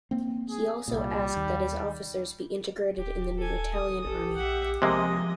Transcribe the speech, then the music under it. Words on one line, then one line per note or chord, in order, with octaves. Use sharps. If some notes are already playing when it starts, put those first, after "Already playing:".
He also asked that his officers be integrated in the new Italian Army.
A#3 C4
G#4
C2 A#2 G3
D#2
D#1 G4
A4 G#5
D#6
A1 G4 A4
A#1 E5 F#5
C3 F3 G#3 A#3 D#5